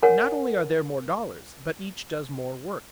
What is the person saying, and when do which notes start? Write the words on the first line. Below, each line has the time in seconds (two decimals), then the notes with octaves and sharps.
Not only are there more dollars, but each does more work.
0.03 A#4 C#5 F#5 G#5